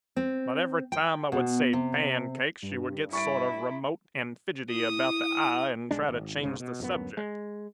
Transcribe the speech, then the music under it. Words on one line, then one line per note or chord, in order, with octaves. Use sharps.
But every time I would say 'pancakes' she would get sort of remote and fidgety about the eye, and try to change the subject.
C4
G5
B2
C3
G2
E4 C#6 A6 D7
E4 D#6
B1 G#3 D4
G#1
C#2 G#2 C#3
B2
D1 F#2 F#3 B3
G#3